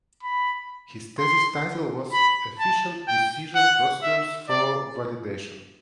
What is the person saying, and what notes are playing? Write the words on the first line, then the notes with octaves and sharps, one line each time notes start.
His thesis title was ‘Efficient decision procedures for validation’.
B5
C6
B5
A5
G5
F#5
E5
D5